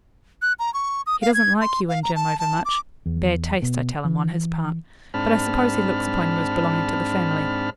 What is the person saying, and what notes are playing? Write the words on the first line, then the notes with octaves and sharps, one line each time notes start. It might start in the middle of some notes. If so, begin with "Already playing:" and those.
He doesn't like you and Jim over much--bad taste, I tell him, on his part--but I suppose he looks upon you as belonging to the family.
F#6
A#5
C#6
D#6
F5
G#6
C6
F5
A#5
A5
A5
D6
E2
B2
E3
G#2 C4 D4 A5 B5 F6